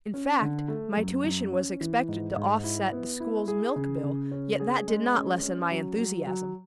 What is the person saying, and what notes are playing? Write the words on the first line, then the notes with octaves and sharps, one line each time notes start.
In fact, my tuition was expected to offset the school's milk bill, yet that did not lessen my enthusiasm.
C#4
D3
A3
F#2
F#2
C#4
E3
G#2
G#2
E4
B3
E4
G#4
C#3
C#3
C#4
G#4
G#3
C#4
C#4
F#3
F#3
F#3